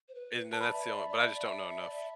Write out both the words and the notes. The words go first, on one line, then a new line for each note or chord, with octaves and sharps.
And then that's the only but I just don't know enough.
C5
B4
B4
A5
D5 B5
E5
D5
E5
D5
E5
D5
E5
D5
E5
D5
E5